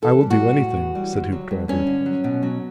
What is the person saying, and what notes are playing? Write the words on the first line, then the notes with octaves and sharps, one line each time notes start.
"I will do anything," said Hoopdriver.
E3 A4
G3
F#4
A2
A2
E3
G3
D3
F#3
G2
G2 C#4
D3
F#3
B2
F#3